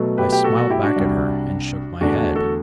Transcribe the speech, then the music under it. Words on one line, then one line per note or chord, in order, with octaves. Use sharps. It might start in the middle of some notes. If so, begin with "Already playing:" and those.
I smiled back at her, and shook my head.
Already playing: B2 F#3 A3
G4 B4
G4
F#4 A4
F#4 A4
E4 G4
D4 F#4
C2 C3 G3
E2 D3 A3 D4 F#4
D4 F#4
F#4 A4